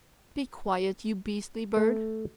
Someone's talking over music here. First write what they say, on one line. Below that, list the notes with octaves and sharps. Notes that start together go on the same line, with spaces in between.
"Be quiet, you beastly bird!"
A3